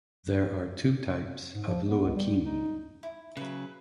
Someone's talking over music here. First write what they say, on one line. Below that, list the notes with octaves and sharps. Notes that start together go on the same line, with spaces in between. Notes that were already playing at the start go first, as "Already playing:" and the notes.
There are two types of luakini.
G#2
F3
B3
C#2
G3
D#4
E4
C#3 F#3 B4